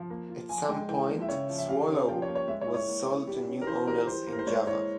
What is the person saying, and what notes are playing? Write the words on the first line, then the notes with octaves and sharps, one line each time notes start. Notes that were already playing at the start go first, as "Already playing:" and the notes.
At some point "Swallow" was sold to new owners in Java.
Already playing: F3
A#3
F4
F3 G#5
G#3 G5
E3 G5
A#3
E5
C#3 C#5
F3
E5
G3 F5
C#4
F3 G5
C#5
A#3
C#5
G#3 E5
C#5
E4
C#5
A#3
E4
G3
C#4
A#4
E3 C5
G3 A#4
E3 C5
A#3
A#4
C5
G#3 C#5
E4 C#5